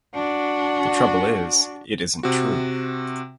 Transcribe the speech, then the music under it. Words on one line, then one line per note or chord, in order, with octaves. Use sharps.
The trouble is, it isn't true.
D4 F#4
C3 F#4